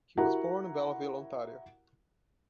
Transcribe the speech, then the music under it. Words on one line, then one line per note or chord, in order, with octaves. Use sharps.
He was born in Belleville, Ontario.
E4 F#4 G4 A#4 F#5 A#5